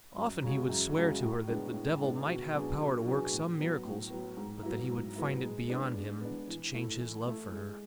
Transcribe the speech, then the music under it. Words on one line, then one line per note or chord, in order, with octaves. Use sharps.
Often he would swear to her that the devil might have power to work some miracles, but that he would find it beyond him to change his love for her.
F#2
C#3 G#3 C#4 F#4
F#2
C#3 G#3 C#4 F#4
A2
G#3 B3 D4
A2
G#3 B3 D4
B2
F#3 B3 D4 G#4
B2
F#3 B3 D4 G#4
A2
F#3 B3
A2
F#3 B3
G#2
F#3 B3 E4
G#2
F#3 B3 E4
G#3
B3 D4
G#3
B3 D4
E3
A3 E4
E3
A3 E4
G#3